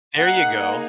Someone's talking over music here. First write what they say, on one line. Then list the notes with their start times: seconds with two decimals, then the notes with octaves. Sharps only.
There you go.
0.17 A#3 D#4 G#4 F#5